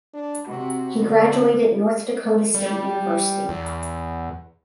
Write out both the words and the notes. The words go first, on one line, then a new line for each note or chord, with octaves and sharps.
He graduated North Dakota State University.
D4
C3 F#4
B2 D3 A3
G3
E2